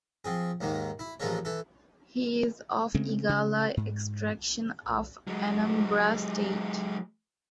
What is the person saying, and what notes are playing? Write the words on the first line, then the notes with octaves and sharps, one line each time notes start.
He is of Igala extraction of Anambra State.
F3 C4 G#4
D#2 G#2 D#3 A#3
E4
A1 F3 G#3 A#3 A4 C#5
E3 A4
C#3 G#3 A3 C4
C#3
G#2
F#3 G#3